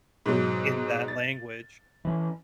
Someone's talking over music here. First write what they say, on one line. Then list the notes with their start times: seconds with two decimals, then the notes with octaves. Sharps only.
in that language.
0.26 G#2 B2 F#3
1.08 A6
2.05 E3 C#4